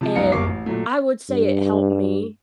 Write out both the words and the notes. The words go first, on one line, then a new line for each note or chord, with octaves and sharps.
and I would say it helped me
C3 F3 A5
C#2 F#2 B3 D#4 F5 C#7
F#1 B1 A#3 C#6 D6 C7
A1
A#2 F#3 A3
G2